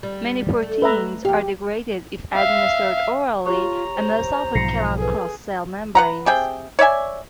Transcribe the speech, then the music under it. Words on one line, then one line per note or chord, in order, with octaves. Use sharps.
Many proteins are degraded if administered orally and most often cannot cross cell membranes.
G3
A3
B4 E5 A#5
E2 G4 F5
E5 F5
F4 G4 C#5 A#5 C#6
C5
B1 G#2 F3 A#6 C7 C#7
G#4 A4 B4
B4 F#5 A#5
C3 G#4 G5
C#5 D5 E5 G#5